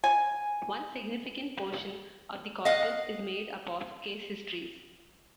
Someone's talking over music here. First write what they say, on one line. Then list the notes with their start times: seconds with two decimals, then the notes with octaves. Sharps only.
One significant portion of the corpus is made up of case histories.
0.04 G#5
2.65 D#5 F5 F#5